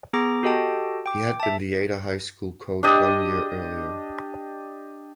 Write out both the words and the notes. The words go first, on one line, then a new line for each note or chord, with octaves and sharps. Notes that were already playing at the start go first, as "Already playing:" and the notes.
He had been the Ada High School coach one year earlier.
B3 G#4 A#5 D6 A#6
F#4 G4 A4 D#5 G5 A5
G5 D6
E5 A5
D4 G4 D#5